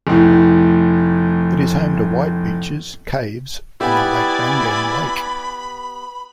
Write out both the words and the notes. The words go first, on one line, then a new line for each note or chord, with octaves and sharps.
It is home to white beaches, caves, and the Lagbangan Lake.
F1 A2
B3 E4 G4 D5 G#5 B5